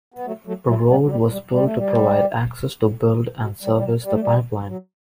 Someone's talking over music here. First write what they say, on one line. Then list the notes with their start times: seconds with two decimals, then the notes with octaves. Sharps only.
A road was built to provide access to build and service the pipeline.
0.14 B3
0.26 F#3 A3
0.46 F#3 A3
0.67 F#3 A3
0.89 G3 B3
1.05 F#3
1.09 G3
1.31 G3
1.52 G3
1.63 A3
1.76 G3
3.41 F#3
3.63 G3
3.76 G3
3.84 F#3
4.04 G3
4.12 A3
4.21 G3
4.68 F#3